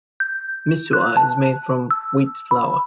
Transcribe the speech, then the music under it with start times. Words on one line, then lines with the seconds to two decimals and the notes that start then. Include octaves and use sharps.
Misua is made from wheat flour.
0.20 G6
0.93 F#6
1.17 A5
1.91 E6
2.51 B5